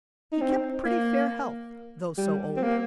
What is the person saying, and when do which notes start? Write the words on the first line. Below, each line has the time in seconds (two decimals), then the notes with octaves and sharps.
He kept pretty fair health, though so old.
0.32 D#4
0.42 C4
0.85 A#3
2.18 G3
2.57 C4
2.63 A#3